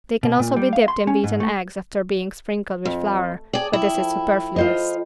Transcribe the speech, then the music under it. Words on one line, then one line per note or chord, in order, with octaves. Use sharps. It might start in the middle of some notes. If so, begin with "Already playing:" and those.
They can also be dipped in beaten eggs after being sprinkled with flour, but this is superfluous.
B2
A#2
G3
F5
C6
C#4
G#2
A3
F2 A3
G#4 D5 G5 A5 D#6
E4
F3 A3 A4
F4 C5 D#5